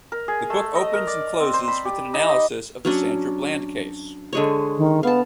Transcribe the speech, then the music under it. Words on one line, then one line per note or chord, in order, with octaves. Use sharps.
The book opens and closes with an analysis of the Sandra Bland case.
A#4
G#4
A3
D#5
A#4
D5
C4
C5
B5
G4
D#4
D#5
F#3 C#4 D4
D3 G#3 C#5
D#3
B3 F5 A5